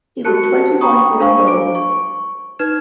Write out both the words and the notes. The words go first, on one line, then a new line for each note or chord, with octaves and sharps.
He was twenty-one years old.
F#4 G4 A#4 A5 F#6 C#7
G5 A#5 B5 C#6 D#6
D4 A#4 C5 F5 G#5 C#6
D6 D7
C#6
D#4 B4 F6 G#6 E7